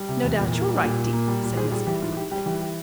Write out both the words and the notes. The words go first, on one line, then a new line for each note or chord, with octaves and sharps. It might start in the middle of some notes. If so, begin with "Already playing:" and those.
"No doubt you're right, dear," said Miss Mapp brightly.
Already playing: G3
C3
E2
A#2
A#3
G3
A#2
A#2
A#3
G3
A#2
G#2 G#4 C5
G3 F4 G#4
E3 G4
G#2 F4
G#2 G4
G3 G4
E3 G4
G4